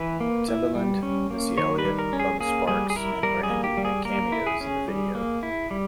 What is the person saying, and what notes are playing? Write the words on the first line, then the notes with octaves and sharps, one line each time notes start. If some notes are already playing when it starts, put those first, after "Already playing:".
Timbaland, Missy Elliott, Bubba Sparxxx and Brandy make cameos in the video.
Already playing: E3 B4
A#3
E4
G3
C#4
A#3
D#3 C#5
B4
G3
A#4
C#4
G#4
A#3 G#4
G3 G#4
G#4
E4 A#4
G3 A#4
G#4
A#3
G4
G3
G#4
A#3 A#4
E4
G#4
C#4
G3
A#3
E4
G3